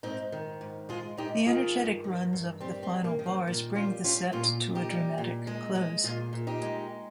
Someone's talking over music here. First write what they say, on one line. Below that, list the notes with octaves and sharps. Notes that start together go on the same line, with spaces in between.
The energetic runs of the final bars bring the set to a dramatic close.
G#2 C4 D#4
D#3
G#2
G#3 F4 G#4
G#2 D#4 G4
D#3 F4 G#4
G2
D#3
G2
G3 C4
C4
G2
A#3
D#3
C4
A#2
G3 C#4 F4
G3 C#4 F4
A#2 C#4 F4
A#2
D#4 G4
G3
A#2
G#3
G#3
A#2 F4 G#4
A#2
D#4 G4
G#3